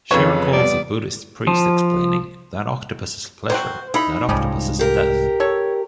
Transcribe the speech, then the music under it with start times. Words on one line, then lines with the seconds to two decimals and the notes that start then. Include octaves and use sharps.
She recalls a Buddhist priest explaining: That octopus is Pleasure... That octopus is Death!
0.11 F2 C#3 B4 C#5 D#7
0.53 G3 B3 D5
1.47 F3
3.50 F#3 C4 F#4 C5
3.94 D#4 E4 B5
4.29 C2 G#2 C#3 F3 G3
4.79 G4 A#4
5.40 A4 C#5